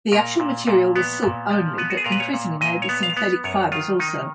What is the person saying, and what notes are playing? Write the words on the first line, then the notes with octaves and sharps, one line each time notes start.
The actual material was silk only but increasingly made with synthetic fibers also.
A#2 A#4
A#2
A#2
B3
A#2
F3
B3 B4
F#4
G#4
A#2 A#4
B4
C#5
A#2
A#2 D#5
C#5
B3
F5
B3
F#2 C#5
D#3 F4
D#3 D#4